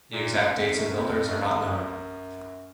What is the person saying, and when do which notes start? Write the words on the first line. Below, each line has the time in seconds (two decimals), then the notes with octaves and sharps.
The exact dates and builders are not known.
0.13 A#2
0.34 F#2
0.54 F2
0.75 F#2
0.95 F2
1.27 F#2
1.48 F2
1.57 F#2